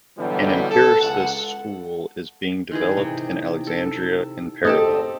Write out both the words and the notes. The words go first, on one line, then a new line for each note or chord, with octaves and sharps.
An empiricist school is being developed in Alexandria in parallel.
B2 D3 E3 F#3 G3
A4
C#2 F#5
D#3 E3 G#4
C3
A4
C4 G4 A4 D#5 A5